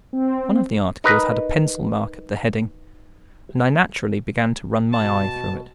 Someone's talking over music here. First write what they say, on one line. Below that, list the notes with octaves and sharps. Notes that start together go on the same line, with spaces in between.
One of the articles had a pencil mark at the heading, and I naturally began to run my eye through it.
C4
D#4 A#4 B4
B2 A5